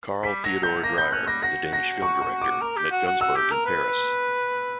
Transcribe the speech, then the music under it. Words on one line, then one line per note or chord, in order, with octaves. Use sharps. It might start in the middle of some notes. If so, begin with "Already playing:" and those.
Carl Theodor Dreyer, the Danish film director, met Gunzburg in Paris.
G3 B6
F#3 A#6
F#3 G6
A#3 A#6
B3 G6
C#4 F#6
G3 A#6
F#4 A#6
A#6
C#6
C#6
D6
A#4
G4
F#4
F#4
F#4 E6
G4
A#4
B4